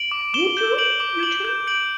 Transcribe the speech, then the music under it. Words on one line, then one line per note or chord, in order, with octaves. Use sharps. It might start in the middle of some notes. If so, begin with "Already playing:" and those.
You too? You too?
Already playing: D7 F#7
D6
D6 E7 G7
G6
G6 D7 F#7
D6
D6 D7 F#7
G6
G6 D7 F#7